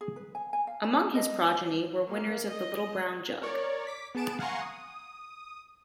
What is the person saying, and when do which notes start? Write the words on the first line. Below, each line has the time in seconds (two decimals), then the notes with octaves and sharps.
Among his progeny were winners of the Little Brown Jug.
0.01 G#4
0.16 B4
0.35 G#5
0.53 G#5
0.67 F5
0.83 B5
1.15 D#5
2.08 A#3
2.51 D#5
3.41 A#4 C#5 D5
3.87 D6 B6
4.15 B3 G#4 A5 D7 E7
4.39 F5 F#5 G#5 A#5 C6 C#6
4.61 D#6